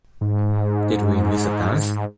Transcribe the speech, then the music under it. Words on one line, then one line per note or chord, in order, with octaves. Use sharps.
Did we miss a dance?
G#2